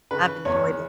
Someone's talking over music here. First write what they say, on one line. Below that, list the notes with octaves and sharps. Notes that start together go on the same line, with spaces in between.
I've enjoyed it.
C#3 B4
E2 C#5